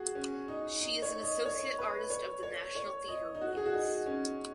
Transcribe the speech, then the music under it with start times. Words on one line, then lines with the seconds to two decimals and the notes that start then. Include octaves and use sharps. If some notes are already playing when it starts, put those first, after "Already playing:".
She is an associate artist of the National Theatre Wales.
Already playing: F#4 G#4
0.15 C#4
0.48 D#4
0.80 D#4
1.02 C#5
1.23 D#5
1.45 C#5
1.79 B4
2.10 C#5
2.43 C#5
2.75 C#5
3.08 D#5
3.35 D#4
3.41 F#4
3.57 G#4
3.65 F#4
3.73 D#4
4.06 C#4